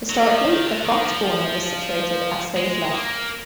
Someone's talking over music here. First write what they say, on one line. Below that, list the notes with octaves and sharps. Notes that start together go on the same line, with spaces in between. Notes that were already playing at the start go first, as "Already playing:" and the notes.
Historically, the prompt corner was situated at stage left.
F#3
F3
D#3
D3
D#3
F3
G#3
A#3